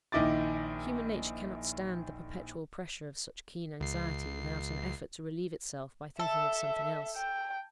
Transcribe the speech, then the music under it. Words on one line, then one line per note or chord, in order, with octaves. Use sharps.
Human nature cannot stand the perpetual pressure of such keen anxiety, without an effort to relieve itself by thinking of something else.
A#1 D#3 D#4 E4 D6 A6
C#2 C7
A4 E5
G5